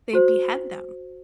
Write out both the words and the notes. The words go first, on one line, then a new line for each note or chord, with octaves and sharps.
they behead them.
F#4 C5